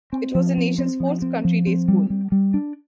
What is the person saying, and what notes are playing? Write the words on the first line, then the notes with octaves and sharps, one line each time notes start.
It was the nation's fourth country day school.
C4
F3
C4
C4
F3
C4
F3
C4
G3
G3
G3
D4